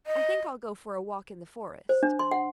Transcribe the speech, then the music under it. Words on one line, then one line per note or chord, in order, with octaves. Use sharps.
I think I'll go for a walk in the forest.
D#5
C5
D4
C6
F#5